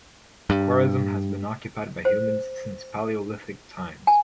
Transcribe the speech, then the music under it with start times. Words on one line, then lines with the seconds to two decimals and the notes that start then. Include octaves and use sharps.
Khorezm has been occupied by humans since Paleolithic times.
0.50 G2
2.05 C5
4.07 G#5